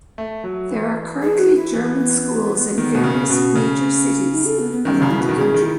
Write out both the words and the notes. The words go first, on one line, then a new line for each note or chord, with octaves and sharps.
There are currently German schools in various major cities around the country.
A3
F#3
E3
G#4
F#4
E4
E3
B3
D#3
B2
C#3
B2 C#4
C#3
D#4
A4
B3
B3
D#3 C#4
C#3
E4
B2
D#3
C#3 G#4
D#3
E4